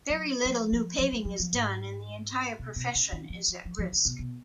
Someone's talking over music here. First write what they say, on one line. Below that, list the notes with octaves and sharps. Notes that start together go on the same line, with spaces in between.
Very little new paving is done and the entire profession is at risk.
F#3
F3
F3
F3
F#3
F#3
F3
G#2
B2
B2
C#3
D#3
F3
F3
F3
F3
C#3
B2
B2